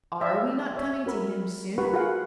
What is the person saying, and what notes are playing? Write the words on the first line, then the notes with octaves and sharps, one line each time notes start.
Are we not coming to him soon?
D5 E5 G5
C#5 D5 E5
F#4 A#4 B5 E6
G4 A#4 B4 F#5 C#6
F4 F#4 G#4 A#4 F5 F#5